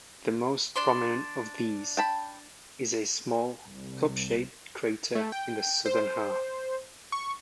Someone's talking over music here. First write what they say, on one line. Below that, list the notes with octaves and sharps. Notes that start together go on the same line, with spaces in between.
The most prominent of these is a small, cup-shaped crater in the southern half.
D4 D5 C6
G5 A5 B5
C2
A3
G5
C5
C#6